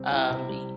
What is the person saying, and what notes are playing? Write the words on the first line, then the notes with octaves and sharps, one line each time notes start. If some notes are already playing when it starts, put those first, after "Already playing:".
um, y
Already playing: C3 G3 C4
E4
C3
G3